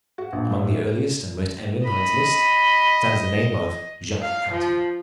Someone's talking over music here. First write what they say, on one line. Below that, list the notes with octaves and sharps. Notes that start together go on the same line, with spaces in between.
Among the earliest and most eminent on its list stands the name of Jacques Cartier.
F#4
A#1
A2
G#2
D#5 B5
F5
F3